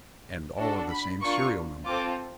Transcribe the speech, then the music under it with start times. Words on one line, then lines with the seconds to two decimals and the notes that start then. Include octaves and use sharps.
"And all of the same serial number."
0.57 D4 F#4 A4
0.89 B5
1.21 A#3 D4 F4 C#6
1.86 C4 F4 A4 D6